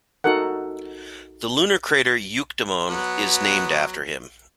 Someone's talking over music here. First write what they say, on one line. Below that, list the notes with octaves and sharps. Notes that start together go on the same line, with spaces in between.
The lunar crater Euctemon is named after him.
D#4 F#4 A4 A#4 F#5
F#3 B3